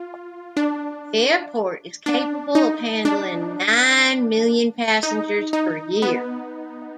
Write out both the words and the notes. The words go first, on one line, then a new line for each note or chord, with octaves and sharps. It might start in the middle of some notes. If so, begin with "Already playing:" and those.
The airport is capable of handling nine million passengers per year.
Already playing: F4
D4
D4
D#4
D4
D#4
D#4
B3